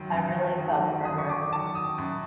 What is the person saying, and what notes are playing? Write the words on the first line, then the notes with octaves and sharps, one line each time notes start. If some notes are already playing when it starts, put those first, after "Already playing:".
I really felt for her.
Already playing: F#2 D#3 F#3
F#2
D#3 F#3
F#2 D#6
C#6
D6
D#3 F#3 A5
D#6
F#2